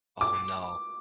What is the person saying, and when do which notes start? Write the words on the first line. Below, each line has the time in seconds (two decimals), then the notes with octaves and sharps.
Oh, no.
0.21 D6